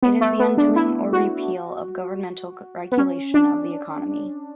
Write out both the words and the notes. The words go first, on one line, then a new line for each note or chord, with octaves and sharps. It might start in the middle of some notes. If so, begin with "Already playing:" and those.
It is the undoing or repeal of governmental regulation of the economy.
B3
A3
B3
D4
E4
F#4
B3
C#4
D4